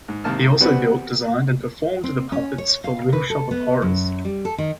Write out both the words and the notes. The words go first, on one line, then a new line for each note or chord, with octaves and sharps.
He also built, designed, and performed the puppets for "Little Shop of Horrors".
G#2
G#2 C3 D#3 A#3 A5 F6
E3 G3 B3 C4 F#4 B4
C4
C#4
C#5
F5
B4
A4
B3
F#2
G3
A4
D#3